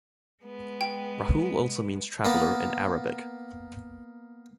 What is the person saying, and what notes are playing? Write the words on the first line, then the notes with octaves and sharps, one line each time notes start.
Rahul also means "traveler" in Arabic.
G#3 B3
G5
A#3 B3 A5